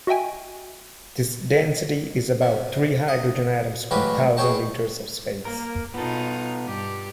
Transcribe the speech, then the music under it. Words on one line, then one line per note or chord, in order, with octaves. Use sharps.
This density is about three hydrogen atoms per thousand liters of space.
F#4 D#5 E5 G5 G#5
C3
D#5
A1 F#3 G#3 F4 G4 B4
B2 G#4 C#5 G5 A5
A#3 A#4
B2 B3 D#4 F4 A4
G2 G4